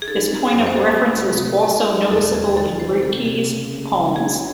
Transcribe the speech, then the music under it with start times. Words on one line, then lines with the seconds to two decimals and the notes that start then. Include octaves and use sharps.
This point of reference is also noticeable in Rilke's poems.
0.02 G#4
0.07 D#4 A4
0.30 C4
0.53 F#2 C5
0.67 C5
0.75 A3 A4
0.98 C#2
1.21 C3
1.43 A2
1.66 G#3
1.88 D#4
2.11 E1 A4
2.34 D#2 G#4
2.57 D#3 A4
2.80 C2 C5
3.03 C3 A4
3.25 C3 G#4
3.47 C#3
3.71 C#3
3.93 C#3
4.16 F#3 G#4